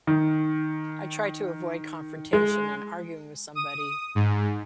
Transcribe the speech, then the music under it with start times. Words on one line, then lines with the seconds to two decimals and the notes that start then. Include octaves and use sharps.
I try to avoid confrontation and arguing with somebody
0.07 D#3
2.33 G#3
3.55 D#6
4.15 G#2